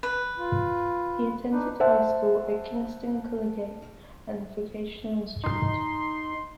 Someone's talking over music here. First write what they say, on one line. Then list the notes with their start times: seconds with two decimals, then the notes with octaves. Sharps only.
He attended high school at Kingston Collegiate and Vocational Institute.
0.03 B4
0.39 F4
1.51 D4 D#4 B4
1.80 C5 E5 F#5 A5
5.44 D#4 C6